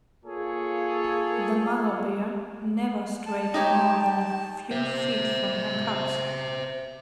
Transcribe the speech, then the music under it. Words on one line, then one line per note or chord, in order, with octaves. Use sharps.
The mother bear never strayed more than a few feet from her cubs.
A#3 F4 G#4 A4 C#5
A5
D#4 G4 C#5 G5
C5 E5